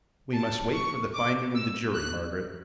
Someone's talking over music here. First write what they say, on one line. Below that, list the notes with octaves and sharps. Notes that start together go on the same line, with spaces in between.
"We must wait for the finding of the jury, Margaret."
A5
C#6
D6
E6
F#6